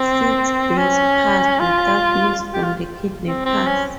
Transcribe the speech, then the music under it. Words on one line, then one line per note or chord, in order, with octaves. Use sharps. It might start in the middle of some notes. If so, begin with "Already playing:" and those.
Six days passed without news from the kidnappers.
Already playing: C4
C#4
F4
G4
F4
C4
C4
C#4